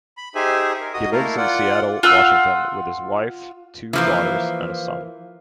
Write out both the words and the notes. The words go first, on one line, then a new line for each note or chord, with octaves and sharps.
He lives in Seattle, Washington, with his wife, two daughters and son.
B5
D#4 G4 G#4 C5 E5 G#5
A#4
F#4 D#5 D#6
A3 A#3 E4 A4 A#4 F5
F4 D5 F#5
F4 F#5 E6
E3 F3 A#3